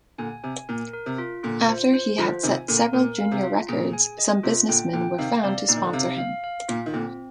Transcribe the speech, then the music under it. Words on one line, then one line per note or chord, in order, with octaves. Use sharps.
After he had set several junior records, some businessmen were found to sponsor him.
A#2 D3 G#5
C3 G#5
A#2 A#4
A#4
C3
F4
A#2 D3 F4
C5
C5
D3 F3 F4
C3 D#3 G#5
A#2 D3 A#4
A#2 A#4
F5
C3
F4
A#2 G#4
G#5
D#5
C3 F4
A#2 D3 G5
A#2 D3 G5
C3 D#3 F5
C3 D5
A#2 D#4
D#3
D3
C3 F5
F5
F5
A#2 F4
D#3
A#2 D3 C4